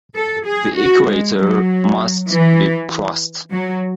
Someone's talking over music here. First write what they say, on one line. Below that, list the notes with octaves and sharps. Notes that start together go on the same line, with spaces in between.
The equator must be crossed.
A4
G#4
F#4
G#3
F#3
E3
F#3